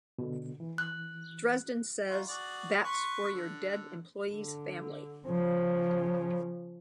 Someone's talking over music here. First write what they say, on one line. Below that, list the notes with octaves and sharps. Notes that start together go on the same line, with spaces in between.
Dresden says That's for your dead employee's family.
B2 D3
E3
F#6
D#4 F4 F#4
F#4 G#4 D5
B4 C6 C#6
D3
D3
C#3 F3